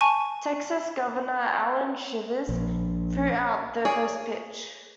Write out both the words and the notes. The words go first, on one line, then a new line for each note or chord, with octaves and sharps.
Texas governor Allan Shivers threw out the first pitch.
G#5 A5 C#6 D#7
A#1
G#4 C#5 D5